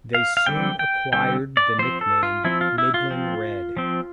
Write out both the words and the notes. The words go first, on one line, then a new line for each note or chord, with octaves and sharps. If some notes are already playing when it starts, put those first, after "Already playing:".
They soon acquired the nickname Midland Red.
F5
F5
D3 G3 C4 G5
G5
D3 G3 C4 G5
D5
F3 C4 C5
A4
F4
F3 C4 E4
F4
E4
F4
F3 C4
F3 C4